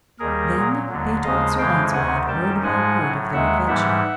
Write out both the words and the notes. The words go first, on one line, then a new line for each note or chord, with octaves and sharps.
Then they told Sir Launcelot word by word of their adventure.
D#2 D#3 G3 G#4 A#4
A#2 F#3
D#2 D3 F#3
D#2 C#3 F3 G#3 D#5 F5
F2 C#3 E3 G#3 F5 G5
D2 C3 D#3 F#5 G#5
F#2 D#3 G3 G5 A5
G#2 F3 G#3 F#5 G#5
A2 F#3
D#2 D#3 G#3 E5 F#5
G#2 E3 G3 E5 F#5